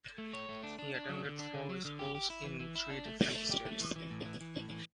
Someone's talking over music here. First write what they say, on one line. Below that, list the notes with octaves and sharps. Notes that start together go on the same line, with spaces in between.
He attended four schools in three different states.
A3
C#5
A3
D4
D4
D4
F#3
D3
D4
D3
F#3
D3
G4
G4
E4
E3
E3
E4
D4
A3
A3
A3
G4
A3
E3
E3
A2
E3
E3
A2
E3